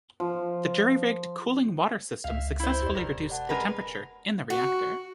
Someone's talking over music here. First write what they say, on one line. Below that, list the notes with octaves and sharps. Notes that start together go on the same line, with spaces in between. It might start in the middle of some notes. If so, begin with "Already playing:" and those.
The jury-rigged cooling water system successfully reduced the temperature in the reactor.
F3
C#2 E5 F5
E4 C5
E2 G4 D5
E1 A#4
D5 F#5 A5
G#3 A#4 B4
F#4